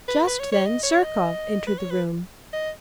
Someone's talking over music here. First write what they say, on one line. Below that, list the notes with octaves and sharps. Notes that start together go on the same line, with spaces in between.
Just then Zherkov entered the room.
B4
A#4
B4
C#5
C#5
D#5
C#5
D#5
B4
C#5
B4
D#5